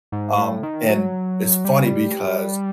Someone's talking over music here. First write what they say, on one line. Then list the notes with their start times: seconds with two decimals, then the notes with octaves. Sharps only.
Um, and it's funny because
0.12 G#2
0.38 A2
0.63 D#3
0.89 F#3
1.65 G3